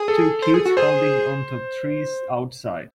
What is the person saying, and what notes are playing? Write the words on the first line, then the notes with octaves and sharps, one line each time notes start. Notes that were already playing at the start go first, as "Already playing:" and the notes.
Two kids holding onto trees outside.
Already playing: G#4
A4
C5
G#4
F#4
G#4 C5